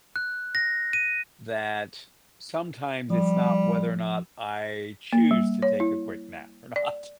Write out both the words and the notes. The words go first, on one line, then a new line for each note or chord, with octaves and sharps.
that sometimes it's not whether or not I choose to take a quick nap or not,
F#6
A#6
D#7
F3 G3
A#3
G3
C#5
E4
D5